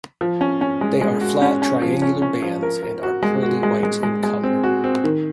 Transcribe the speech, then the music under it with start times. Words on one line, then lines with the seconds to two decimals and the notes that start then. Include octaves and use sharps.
They are flat triangular bands and are pearly white in color.
0.21 F3
0.41 C#4
0.61 C#4
0.81 G#3
1.01 G#3
1.21 F#4
1.42 C#4
1.62 C#4
1.82 F3
2.02 C#4
2.22 C#4
2.42 F3
2.63 A#4
2.83 A#4
3.03 F#4
3.23 G#3
3.43 F#4
3.63 G#3
3.83 G#3
4.03 G#3
4.23 G#3
4.44 C4
4.64 F#4
4.84 C4
5.04 D#3